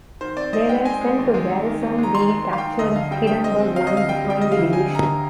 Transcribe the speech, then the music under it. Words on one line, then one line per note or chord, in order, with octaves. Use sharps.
They were sent to garrison the captured Hindenburg Line behind the division.
D#3 C5
C4 D5
C4 D#5
G#3 G5
C4 G#5
G#3
D#2
G#3
D#2
D#3
D#2
G#3 A#5
D#3 C6
D#2
D#3
F5
D#3 G5
D2 D#5
D3 F5
G3 G5
D2 G5
C4 D#5
C4
C4 F5
D#5
D2 F5
G3 G5
G3
G5
G3 D#5
F5
D2
G3 G#5
D3
A#5